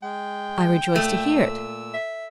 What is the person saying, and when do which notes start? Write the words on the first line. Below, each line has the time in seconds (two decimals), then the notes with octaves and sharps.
'I rejoice to hear it.
0.03 G#3 G5
0.96 A#2 A3 E6
1.94 E5